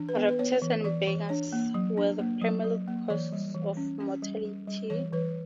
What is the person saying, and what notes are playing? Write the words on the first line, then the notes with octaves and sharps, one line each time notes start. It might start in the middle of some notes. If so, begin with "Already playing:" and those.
Raptors and badgers were the primary causes of mortality.
Already playing: E3 D4
B4
B3
B4
B3 C#5
E3
E3 D5
E3
D4 C#5
A#3
F#3
D4
A#3
F#3
F#3
A#3
E3 D5
G3
E3
C#4
C#4
G3
G3
G3
E3 C#5
E3 B4